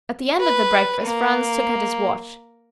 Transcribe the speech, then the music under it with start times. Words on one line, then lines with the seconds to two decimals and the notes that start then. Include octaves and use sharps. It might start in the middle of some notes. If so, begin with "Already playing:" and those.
At the end of the breakfast Franz took out his watch.
0.40 B4
1.03 A#3